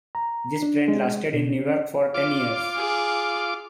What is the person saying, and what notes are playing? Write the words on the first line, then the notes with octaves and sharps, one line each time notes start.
This trend lasted in New York for ten years.
A#5
D4
G#3
B2
C#4
F4 D6
G#4